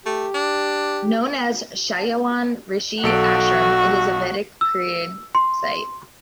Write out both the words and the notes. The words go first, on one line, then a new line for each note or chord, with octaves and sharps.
Known as Chyawan Rishi Ashram it is a Vedic period site.
A3 G4
D4
B1 F#4 A4 D7
E6
C6